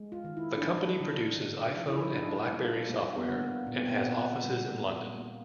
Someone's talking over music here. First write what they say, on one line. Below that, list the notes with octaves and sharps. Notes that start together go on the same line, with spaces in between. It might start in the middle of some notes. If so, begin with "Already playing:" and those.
The company produces iPhone and BlackBerry software, and has offices in London.
Already playing: G#3
F4
D#3
E4
D4
F3 D#4
D3
D3
F3
E4
D#4
G3 D4
A#3
G3 A#3
B3
D3
A#3
A#2 B3
C4
B3
A#2
G3
A#3
A#3